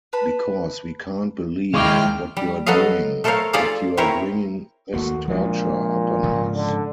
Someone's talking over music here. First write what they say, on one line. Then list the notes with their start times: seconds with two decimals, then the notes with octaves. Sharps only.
Because we can't believe what you're doing, that you're bringing this torture upon us!
0.13 B4 A5 B5
1.74 D#2 G#3 E4 F5 G5 C#6 D6 F6
2.37 G3
2.66 F#3 B3 A4 D#5 F5
3.24 A3 A4 A#4 C5 C#5 F5
3.53 F4 G#4 A4 C5 D5 F5
3.97 C4 E4 A#4 C5 C#5
4.94 D#2 A3 A#3 F#4
5.28 A#2 F3 G#3 D4
6.23 G#2 C#3 F3
6.55 D3